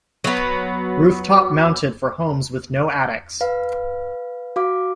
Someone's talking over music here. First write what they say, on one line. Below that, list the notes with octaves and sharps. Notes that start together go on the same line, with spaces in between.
Rooftop Mounted for homes with no attics.
F#3 B3
B4 F5
F#4 F5 D6